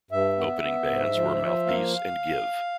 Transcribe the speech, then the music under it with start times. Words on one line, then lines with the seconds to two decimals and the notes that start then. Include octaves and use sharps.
Opening bands were Mouthpiece and Give.
0.11 G2 E5
0.38 B3
0.63 B3
0.88 G#2
1.15 F3
1.41 F3
1.66 A#3 F5